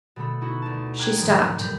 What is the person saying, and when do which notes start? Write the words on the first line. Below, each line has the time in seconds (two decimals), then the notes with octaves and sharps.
She stopped.
0.16 B2 D3 A3 B5
0.41 B3 D#4 E4 F#4
0.62 D2 A5
0.98 G5 A#5 D6 F6 F#6 G#6
1.18 G#2 D3 D#3 F3 F#3 A#3
1.56 D#1 G2 D3 G3 G6